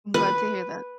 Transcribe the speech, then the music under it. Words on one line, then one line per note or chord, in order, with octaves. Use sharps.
I'm glad to hear that.
B4